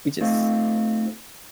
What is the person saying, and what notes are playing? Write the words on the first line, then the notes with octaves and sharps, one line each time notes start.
You just
A3 C4 D#4 F4